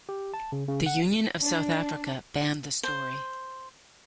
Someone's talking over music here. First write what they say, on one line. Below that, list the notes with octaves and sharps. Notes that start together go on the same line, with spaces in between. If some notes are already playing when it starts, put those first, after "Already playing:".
The Union of South Africa banned the story.
G4
A5
C#3
C#3
F#5
D4
C5